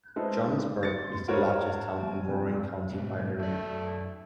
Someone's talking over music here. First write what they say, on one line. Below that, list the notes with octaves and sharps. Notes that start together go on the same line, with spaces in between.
Johnsburg is the largest town in Warren County by area.
G#3 A3 D#4 A4 B4 C5
A6 C#7
F#4 A#4 C5 C#5
F1
G#2 B2
F#2 A3 D5